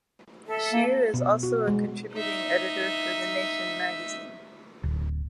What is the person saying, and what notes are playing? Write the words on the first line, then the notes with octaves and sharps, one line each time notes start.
Scheer is also a contributing editor for the "Nation" magazine.
A4 E5
A#3
B2
F#4
G#3
D#4 E5
D1